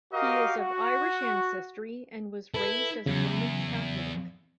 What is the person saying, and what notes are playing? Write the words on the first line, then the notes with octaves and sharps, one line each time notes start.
He is of Irish ancestry and was raised as a Roman Catholic.
F#4 G4 A#4 D#5 F5
F#4
E4 A4 B4
E2 C#3 F#3